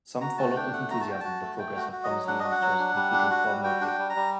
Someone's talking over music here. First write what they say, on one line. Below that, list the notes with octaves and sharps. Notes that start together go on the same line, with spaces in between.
Some followed with enthusiasm the progress of promising youngsters, including Paul Morphy.
F#4 A#5
A3 A5
D4 G5
A3 F#5
F#4 A#5
A5
F#4 G5
F#4 A5
A3
A3 G5
F#4
F#4
D#5
F#3
D4 F#5
F#4 D#5
F#5
F#3
D4
G3
D4
F#4
G3
F#4 G5
D4
G5
G3
A#5
G3